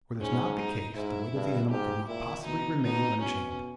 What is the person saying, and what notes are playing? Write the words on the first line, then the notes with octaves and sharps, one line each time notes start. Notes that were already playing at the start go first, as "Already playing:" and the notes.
Were this not the case, the weight of the animal could not possibly remain unchanged.
G#2 C#4
D#4
G#2 E4
G2
G#2 G4
A#2 E4
B2 D#4
B2 D#4
B2 C#4